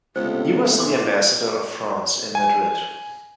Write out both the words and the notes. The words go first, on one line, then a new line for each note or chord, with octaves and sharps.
He was the Ambassador of France in Madrid.
C#2 A2 C3 B3 C5
E3 C6 D6
G#5